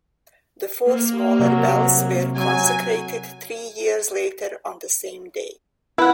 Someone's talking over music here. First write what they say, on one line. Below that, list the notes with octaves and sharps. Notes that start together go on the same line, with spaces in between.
The four smaller bells were consecrated three years later on the same day.
A#3
C3 F#3
F#3 G#5
E4 B4 F#5